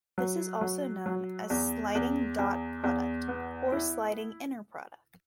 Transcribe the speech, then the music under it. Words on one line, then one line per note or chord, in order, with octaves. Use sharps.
This is also known as a "sliding dot product" or "sliding inner-product".
F#3
F#3
F#3
E2
E2
E2
E2
B3
E4